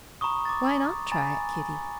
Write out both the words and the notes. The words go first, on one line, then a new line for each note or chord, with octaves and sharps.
Why not try it, Kitty?
A#5 B5 C#6 D#6
D6 A6
G#5 A#5 B5 A6